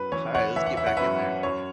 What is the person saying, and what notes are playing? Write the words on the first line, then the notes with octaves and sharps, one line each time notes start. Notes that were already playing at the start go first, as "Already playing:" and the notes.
Alright, let's get back in there.
Already playing: F#2 B4
E3 C#5
C#5 F#5
E3 E5
F#5
E5
F#5
F#2 B4 E5
F#2 C#5